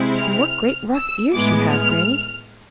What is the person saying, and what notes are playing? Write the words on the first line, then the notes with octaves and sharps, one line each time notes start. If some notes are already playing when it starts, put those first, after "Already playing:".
"And what great rough ears you have, Grannie!"
Already playing: C3 G#3 C4 E4
F6
E6
A2 G#3 B3 E4 D6
F6